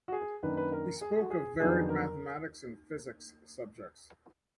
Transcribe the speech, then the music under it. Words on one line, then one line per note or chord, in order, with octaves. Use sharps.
He spoke of varied mathematics and physics subjects.
F#4
G#4
F#2 D#3 A#3 D4 B4
B4
A#4
G#4
G#4
F#4
G#4
F2 D#3 F#3 B3 D4 G#4
A#4